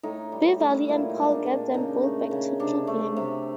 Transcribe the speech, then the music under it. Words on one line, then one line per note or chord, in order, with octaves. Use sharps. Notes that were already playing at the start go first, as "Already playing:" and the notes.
Beverly and Paul get them both back to Cleveland.
A2 D#4
G3
A2
A#2 E4
D#4
G#3
D4
A#2
C#3 D#4
A3
C#3
C3 D4
A3
C3